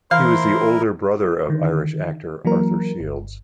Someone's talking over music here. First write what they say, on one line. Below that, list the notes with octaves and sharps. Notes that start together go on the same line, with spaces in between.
He was the older brother of Irish actor Arthur Shields.
E3 E4 A#4 C5 F5
D3 D#3
E3 F#3 A#3 A#4
G1